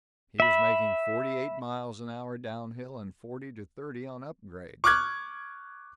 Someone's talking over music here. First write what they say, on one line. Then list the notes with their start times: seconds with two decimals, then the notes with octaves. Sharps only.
He was making forty-eight miles an hour down hill and forty to thirty on upgrades.
0.40 E5 B5
4.84 C#6 D6 F6 F#6 G#6